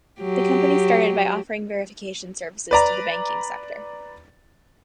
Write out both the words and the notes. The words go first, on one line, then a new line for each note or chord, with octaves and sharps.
The company started by offering verification services to the banking sector.
F#3 G4
B4 D5 A#5